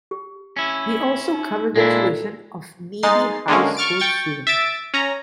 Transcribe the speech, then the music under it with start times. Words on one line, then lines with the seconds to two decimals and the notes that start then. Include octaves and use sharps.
He also covered the tuition of needy high school students.
0.11 G4
0.57 C#4 E4
1.33 D#4
1.76 A#2 G#3 D4 E4 A4 A#4
3.03 G#3 D#4 A6 C7
3.48 D3 G#3 A#3 C#4
3.77 C#6 F6 A6 D7
4.00 G5 C#6 A6
4.47 E5 A6 D7
4.94 C#4 A#5